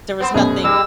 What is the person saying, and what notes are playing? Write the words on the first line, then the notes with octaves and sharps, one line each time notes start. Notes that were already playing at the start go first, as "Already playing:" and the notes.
there was nothing,
B3 C4 C5
F#2 B2 G#4
G3 E6